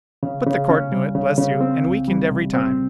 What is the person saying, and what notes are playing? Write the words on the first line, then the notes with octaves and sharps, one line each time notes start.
But the court knew it, bless you, and weakened every time!
C#3
C#3
C#4
G3
C#3
C#3
C4
C2
G3
C3
C4